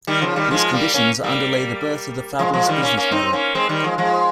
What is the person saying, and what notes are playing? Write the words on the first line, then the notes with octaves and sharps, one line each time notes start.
These conditions underlay the birth of the fabless business model.
D#3 G3
C#3 F3
D#3 G3
F3 G#3
G3 A#3
A#3 C#4
G3 A#3
F3 G#3
F3 G#3
D#3 G3
A#3 C#4
A#3 C#4
C4 D#4
A#3 C#4
G#3 C4
D#3 G3
F3 G#3
F3 G#3